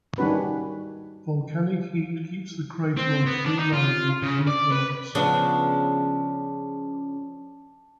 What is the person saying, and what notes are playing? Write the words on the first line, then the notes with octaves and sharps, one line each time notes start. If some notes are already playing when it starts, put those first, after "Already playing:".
Volcanic heat keeps the crater on Thule Island free from ice.
D#3 G3 C#4 D4 F#4 B4
C4
B3
D4
D#4
F4
C#3
D5
B4
C#3 F3 B3 D4